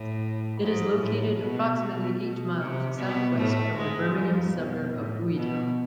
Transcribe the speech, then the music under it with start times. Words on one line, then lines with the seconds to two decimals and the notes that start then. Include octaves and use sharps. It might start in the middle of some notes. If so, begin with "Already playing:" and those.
It is located approximately eight miles southwest from the Birmingham suburb of Hueytown.
Already playing: A2
0.61 G#2
1.00 A2
1.40 B2
1.79 B2
2.20 B2
2.58 C3
2.98 B2 B3
3.37 A2 A3
3.76 G#2 G#3
4.16 F2 F3
4.56 B2
4.95 A2
5.34 B2